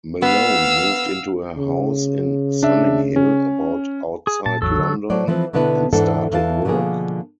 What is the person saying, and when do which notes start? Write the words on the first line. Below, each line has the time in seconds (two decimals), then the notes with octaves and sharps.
Malone moved into a house in Sunninghill, about outside London, and started work.
0.22 B3 F5 E6
1.57 C#3
2.63 D4 E5
3.16 C#4
4.27 G#4
4.46 A#2 A5
4.62 A1 E2 F#3 A4
4.78 D3
5.10 F#3 A3 C5 D5
5.28 E3 F3 C4 B4
5.53 B2 D3 B3 D4 E4 B4
5.93 E2 G#2 E3 D4 A4 F#5
6.32 E2 E3 F5 A5
6.65 B2 D3 F3 A#3 G#4